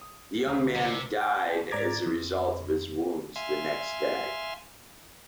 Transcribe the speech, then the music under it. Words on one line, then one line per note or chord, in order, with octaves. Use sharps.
The young man died as a result of his wounds the next day.
D#6
D2 F5 A#5
C3
G5
G#2 D5 A#5 D6 G#6 A6
F2
E5 F5 G#5 C6